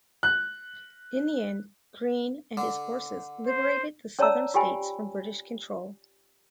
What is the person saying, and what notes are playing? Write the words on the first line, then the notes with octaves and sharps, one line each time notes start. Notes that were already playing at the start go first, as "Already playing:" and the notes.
In the end, Greene and his forces liberated the southern states from British control.
F#6
D3
C5
C#4 C#5 D5 A5 A#5 E6
F4 G4 G5 G#5 B5